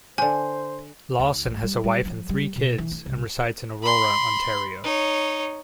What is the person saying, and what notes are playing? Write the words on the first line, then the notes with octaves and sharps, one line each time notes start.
Lawson has a wife and three kids, and resides in Aurora, Ontario.
D3 C5 G5 G#5
D2
A1
G3
G3
F3
G3
B2
E3
E4
C2
B5 C6
D#4 C#5